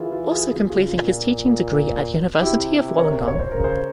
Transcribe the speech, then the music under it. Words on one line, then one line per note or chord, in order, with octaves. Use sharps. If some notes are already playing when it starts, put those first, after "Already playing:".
Also completing his teaching degree at University of Wollongong.
Already playing: E3 F4 G#4 A#4
F4
F4 G#4
F4 G#4
C#3 F4 G#4
F4
A#2
F4
C3 E4 G4
A#4 C#5
C#5
C5
C#3 A#4
G#4 C5